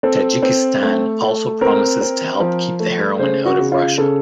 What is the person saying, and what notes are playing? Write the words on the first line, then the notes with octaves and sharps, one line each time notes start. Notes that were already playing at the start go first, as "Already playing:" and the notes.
Tajikistan also promises to help keep the heroin out of Russia.
C4 A4
C4
A3
A3
C4 A#4
C4
F3
A3
C#3 C5
F#4
C#3
F4
C#3 A4